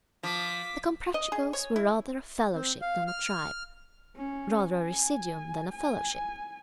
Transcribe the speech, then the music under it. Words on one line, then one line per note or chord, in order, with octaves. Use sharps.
The Comprachicos were rather a fellowship than a tribe; rather a residuum than a fellowship.
F3 D6 B6
D#5
G#4
C#5
E4
C4
F5
F6
C#4
G#5
G#5